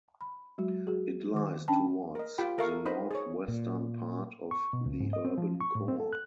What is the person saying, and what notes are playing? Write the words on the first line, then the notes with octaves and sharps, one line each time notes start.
It lies towards the northwestern part of the urban core.
B5
F#3 G#3 F#4
F#4 G#4
D#3 D6
C#4 D4 G5 A5 B5
A#4 D#5
F4 G4 G5 B5
A4 A#4 E5 F5 C#6
D#4 B4 C5 D#5 B5
G#4 C#5
A#2
C#6
B2
C#2
G#2
D#5
C4
F3
C#6
A2
C4
A4
F#6